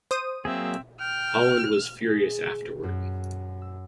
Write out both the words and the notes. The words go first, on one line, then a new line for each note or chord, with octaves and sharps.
Holland was furious afterward.
C5 D#6 D#7
F#3 A#3 C4 G#4 E5
G5 F6
G#4
F#2
E6